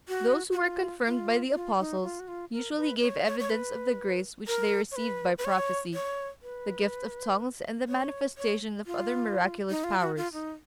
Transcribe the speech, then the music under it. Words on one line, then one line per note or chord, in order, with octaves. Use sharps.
Those who were confirmed by the Apostles usually gave evidence of the grace which they received by prophecy, the gift of tongues and the manifestation of other miraculous powers.
F#4
F#4
F4
F4
F4
D#4
F4
F#4
F4
A#4
B4
C#5
C#5
C#5
B4
A#4
C#5
B4
B4
C#5
C#5
B4
C#5
C#5
F4
D#4
F4
F#4
F4
D#4